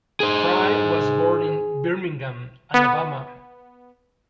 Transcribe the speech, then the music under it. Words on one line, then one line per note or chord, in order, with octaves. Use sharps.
Frye was born in Birmingham, Alabama.
G#4 C5
B3